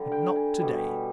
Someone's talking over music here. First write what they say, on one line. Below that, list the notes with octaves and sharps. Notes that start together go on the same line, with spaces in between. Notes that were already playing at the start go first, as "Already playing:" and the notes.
But not to-day.
Already playing: D3 G3
G5
G#5
B2 G3